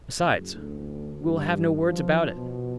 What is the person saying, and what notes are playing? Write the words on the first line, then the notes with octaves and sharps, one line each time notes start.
Besides, we will have no words about it.
F#1
D2
G2
F3
B2